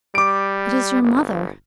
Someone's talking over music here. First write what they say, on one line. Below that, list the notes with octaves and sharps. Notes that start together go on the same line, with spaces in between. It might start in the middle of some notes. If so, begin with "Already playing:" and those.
"It is your mother!"
G3 D6 D7
G1